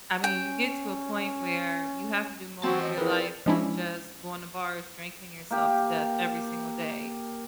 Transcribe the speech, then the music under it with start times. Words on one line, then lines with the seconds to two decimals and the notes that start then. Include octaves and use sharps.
I mean, you get to a point where you have to do more with your life than just going to bars, drinking yourself to death, every single day,
0.24 C#4 G5
2.64 E3 C4 F#4 A5
2.82 D#5
2.98 E2 E4 G#4 A#4 B4
3.10 D5
3.46 F3 G#3 C#4 D4 E4
5.51 A#3 G4